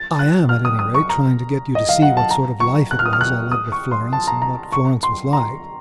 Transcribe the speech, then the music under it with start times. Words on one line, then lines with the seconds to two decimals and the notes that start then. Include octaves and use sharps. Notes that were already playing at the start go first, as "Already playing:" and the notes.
I am, at any rate, trying to get you to see what sort of life it was I led with Florence and what Florence was like.
Already playing: A6
0.19 F#6
0.49 F6
0.65 D#6
0.79 D#6
0.95 C#6
1.09 A#5
1.75 D#5
1.89 F5
2.02 F#5
2.17 A5
2.31 A#5
2.60 C#6
2.91 F#6
2.99 F6
3.06 D#6
3.13 F6
3.21 F#6
3.52 D#6
3.72 C#6
3.91 C6
4.13 A5
4.27 A#5
4.42 A#5
4.72 C#6
5.03 C6
5.33 A#5